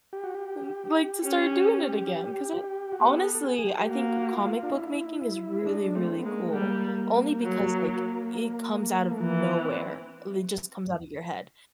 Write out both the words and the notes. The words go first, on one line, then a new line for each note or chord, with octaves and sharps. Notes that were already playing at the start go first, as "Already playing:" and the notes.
m like, to start doing it again, 'cause I honestly, I think comic book making is really, really cool only because, like, it comes out of nowhere, it just comes out of your head,
G4
F#4
G4
C#4 G4
F#4
B3 G4
A4
A4
G#4
G#4
G4
G4
A#3 F#4
F4
D4
D#4
E4
E4
G#3 D4
A3 C4
B3
G#3 A#3
A3
G3 A#3
F#3
A3
E3 A#3
B3
C4